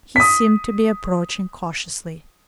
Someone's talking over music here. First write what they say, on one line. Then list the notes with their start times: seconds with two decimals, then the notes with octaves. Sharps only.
He seemed to be approaching cautiously.
0.16 D#6 B6